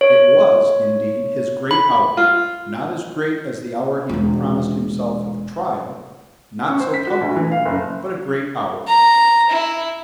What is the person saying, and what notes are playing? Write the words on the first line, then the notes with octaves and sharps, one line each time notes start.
It was, indeed, his great hour, not as great as the hour he had promised himself at the trial, not so public, but a great hour.
C#5
B5
F4
E1 F4
C#4
C5
B6
F#4
D2
E3
F5
F#1
A#5
E4